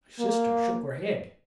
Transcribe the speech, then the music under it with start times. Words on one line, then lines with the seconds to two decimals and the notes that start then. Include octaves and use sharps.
My sister shook her head.
0.20 A#3